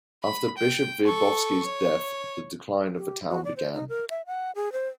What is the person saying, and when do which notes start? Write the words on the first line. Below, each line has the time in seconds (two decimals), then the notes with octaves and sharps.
After Bishop Wierzbowski's death the decline of the town began.
0.23 B5
0.57 G5
1.05 A4 C#6
1.66 C#5
2.97 G4
3.29 F#4
3.44 D5
3.56 C5
3.74 D#4
3.89 A#4
4.10 E5
4.26 F#5
4.55 G#4
4.72 C5